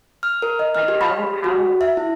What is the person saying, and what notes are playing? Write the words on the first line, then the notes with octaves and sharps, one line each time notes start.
Like, how how
F6
A#4
D#5
F6
G4
B5
F#4
E5
E4